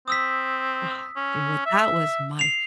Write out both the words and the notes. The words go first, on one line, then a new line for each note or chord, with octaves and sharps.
Ah, dude that was my
C4 D#6 E6 B6
C#4
E5
C7 F7